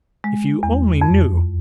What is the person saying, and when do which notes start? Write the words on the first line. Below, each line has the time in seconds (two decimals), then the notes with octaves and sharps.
If you only knew!
0.24 G#3
0.63 E2
1.01 F2